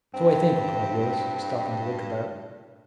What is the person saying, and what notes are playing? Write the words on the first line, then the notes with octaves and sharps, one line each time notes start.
"So I think," replied Willis, stopping to look about.
G2 C4